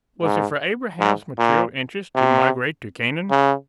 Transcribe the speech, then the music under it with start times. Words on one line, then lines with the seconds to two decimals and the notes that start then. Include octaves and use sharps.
Was it for Abraham's material interest to migrate to Canaan?
0.23 G#2
1.00 G#2
1.38 A#2
2.15 C3
3.30 C#3